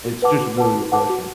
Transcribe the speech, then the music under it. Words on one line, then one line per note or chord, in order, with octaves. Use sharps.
It's just really refreshing.
F#4
B4 F#5 A5 D6
F#4
B4 F#5 A5 D6
F#4
B4 F#5 A5 D6
F#4